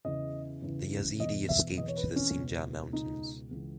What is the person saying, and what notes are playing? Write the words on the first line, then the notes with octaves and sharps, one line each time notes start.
The Yazidi escaped to the Sinjar Mountains.
E2 C#3 E3 D#5
E2 C#3 E3
E2 B2 D#5
E5
E2 B2 D#5
C#5
B4
C#4
C#2 B2
C#2 B2 D#4
C#2 C#3 E3